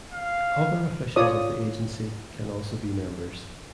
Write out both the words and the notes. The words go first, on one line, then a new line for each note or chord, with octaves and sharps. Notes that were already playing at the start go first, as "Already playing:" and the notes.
Other officials of the agency can also be members.
F5
F4 C#5 D5 D#6